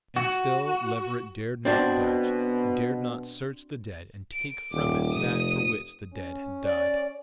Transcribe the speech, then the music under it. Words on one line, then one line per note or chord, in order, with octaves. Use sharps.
And still Leverett dared not budge, dared not search the dead and take from it that for which the dead had died.
F#4
B2 C4 D4 F#4
D7
D#1 D6
F1 D#6 D#7
C#4
D5